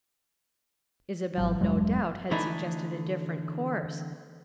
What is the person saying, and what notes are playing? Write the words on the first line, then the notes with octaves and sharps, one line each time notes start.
Isabel no doubt had suggested a different course.
G#1 F#3
E1 G2 F#3 G#3
D3 E3 A3 D4 D#4